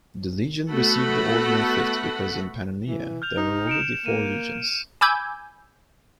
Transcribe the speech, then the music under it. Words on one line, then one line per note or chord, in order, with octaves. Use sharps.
The legion received the ordinal "Fifth" because in Pannonia there were already four legions.
A3 B3 F#4 A4 F#5 B5
E3
F6 G6 F7
D#4
C#7 D7 E7
A#3 D#7
G#5 B5 D6 E6 G6 G#6